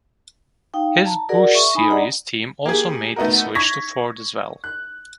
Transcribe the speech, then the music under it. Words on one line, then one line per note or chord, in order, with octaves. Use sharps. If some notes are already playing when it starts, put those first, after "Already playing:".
His Busch Series team also made the switch to Ford as well.
D#4 F5 G5
A5 A#5
F#4 G#4 A#4 D5 F#5
E5 C#6
D#4 G#5 B5 D#6
D4 G#4 D5 D#5 F#5 A#5
A#3 G4 G#4
A3 B3 D#4 F#4 A#4
C#6 G#6 A#6 B6
F#6